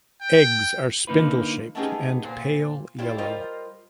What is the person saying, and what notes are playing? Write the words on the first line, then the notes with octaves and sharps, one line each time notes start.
Eggs are spindle shaped and pale yellow.
G5
D3 A#3 D#4 F4 B4
A3 B3 C#4 D#4 G4 G#4
A#2 C5
E4 F4 G4 C5 D5
G3 F4 A#4 C5 D#5